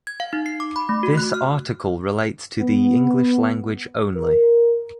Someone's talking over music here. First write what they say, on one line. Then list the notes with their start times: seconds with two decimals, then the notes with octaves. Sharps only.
This article relates to the English language only.
0.07 G#6
0.20 F5
0.33 D#4
0.46 C7
0.60 D6
0.76 B5
0.89 A3
1.03 F#4
1.17 F#6
1.34 F6
2.60 B3
4.15 A#4